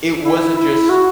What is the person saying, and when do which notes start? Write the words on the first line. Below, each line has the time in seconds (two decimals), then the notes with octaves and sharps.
it wasn't just,
0.25 E4
0.56 E4
0.89 F#4